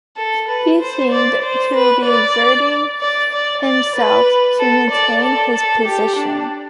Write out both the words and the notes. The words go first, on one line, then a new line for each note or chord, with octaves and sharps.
He seemed to be exerting himself to maintain his position.
A4
B4
C5
D5
C5
B4
D5
D5
D5
D5
B4
A4
D5
A4
A4
G4
D4